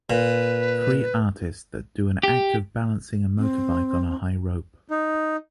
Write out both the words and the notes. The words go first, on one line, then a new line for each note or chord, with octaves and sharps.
Three artists that do an act of balancing a motorbike on a high rope.
A#2 B4
G4
C4
D#4